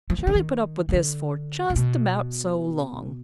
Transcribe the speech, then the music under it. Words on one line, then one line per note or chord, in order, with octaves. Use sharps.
Shirley put up with this for just about so long.
F3
D#3
D3
D#3
D#3
D3
C3
B2